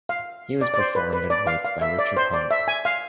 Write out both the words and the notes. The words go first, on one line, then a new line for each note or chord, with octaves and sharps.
He was performed and voiced by Richard Hunt.
F5
D5
D5
C5
B4
B4
D5
F5
F5
E5
D5
C5
D5
E5
G#5
F5